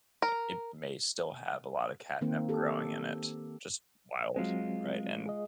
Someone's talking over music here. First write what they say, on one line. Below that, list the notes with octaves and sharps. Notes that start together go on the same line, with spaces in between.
like it may still have a lotta catnip growing in it. Just wild, right, and
A#4
D#3 A#3 C4
G4 A4
F#3 G#3 C4 F4
G#4 D#5